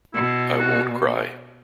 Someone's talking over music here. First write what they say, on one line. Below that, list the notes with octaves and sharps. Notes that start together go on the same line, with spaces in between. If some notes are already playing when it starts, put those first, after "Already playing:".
I won’t cry.
B2 E4
F#4